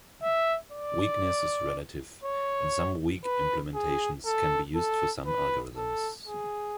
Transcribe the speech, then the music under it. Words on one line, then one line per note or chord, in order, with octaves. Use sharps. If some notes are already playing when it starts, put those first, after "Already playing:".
Weakness is relative, and some weak implementations can be used for some algorithms.
E5
D5
C#5
B4
G#4
A4
A4
B4
A4
G#4